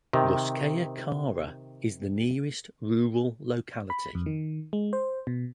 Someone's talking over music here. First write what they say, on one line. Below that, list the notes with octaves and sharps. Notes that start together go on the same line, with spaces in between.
Russkaya Kara is the nearest rural locality.
C3 D#3
B5
F2
D#3
G#3
C5
B2